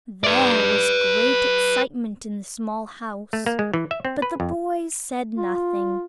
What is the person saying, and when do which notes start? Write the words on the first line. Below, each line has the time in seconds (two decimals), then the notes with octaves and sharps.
There was great excitement in the small house, but the boys said nothing.
0.24 B4 D5
3.33 A3
3.46 A#3
3.59 G#3
3.74 E3
3.91 E5
4.05 C4
4.22 B4
4.40 F2
5.38 F4